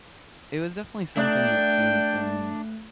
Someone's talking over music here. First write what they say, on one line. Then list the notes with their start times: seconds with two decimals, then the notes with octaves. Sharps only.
it was definitely something that came from
1.17 A3 D4 D5 G5 F#6